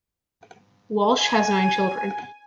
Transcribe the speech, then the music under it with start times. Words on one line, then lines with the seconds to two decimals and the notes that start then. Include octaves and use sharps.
Walsch has nine children.
1.19 G#5